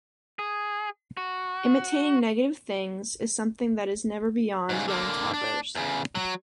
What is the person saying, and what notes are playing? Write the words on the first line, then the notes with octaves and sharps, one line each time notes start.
Imitating negative things is something that is never beyond young toddlers.
G#4
F#4
G#2 C#3
D3 A#3
D4
E2 C#3
F#3